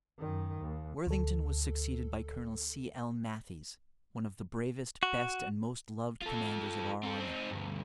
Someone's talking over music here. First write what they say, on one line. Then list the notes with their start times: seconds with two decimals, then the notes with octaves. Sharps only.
Worthington was succeeded by Colonel C. L. Matthies, one of the bravest, best, and most loved commanders of our army.
0.19 F#2 D#3
0.61 D#2
1.07 D2 A4
5.03 F#4
6.22 F4 A4
7.03 C4 A4
7.20 C4 D#4
7.51 D2 G2